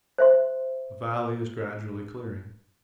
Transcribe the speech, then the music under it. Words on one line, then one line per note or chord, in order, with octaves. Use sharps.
The valley is gradually clearing.
C5 E5 C6